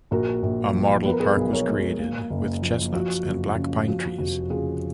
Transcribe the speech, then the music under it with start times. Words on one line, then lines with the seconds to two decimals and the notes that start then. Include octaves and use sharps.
A model park was created with chestnuts and black pine trees.
0.11 A#1 F#4 A#4
0.43 A#1
0.73 F3
1.05 B3 B4
1.12 A#4
1.20 G#4 B4
1.37 B1
1.53 A#4 C#5
1.69 G#3
1.99 A#3
2.30 F#1
2.62 F3
2.93 F3 F#4
3.25 F#1
3.56 C#3
3.88 F3 F#4
4.18 F1 F#4
4.50 C#3 F4 G#4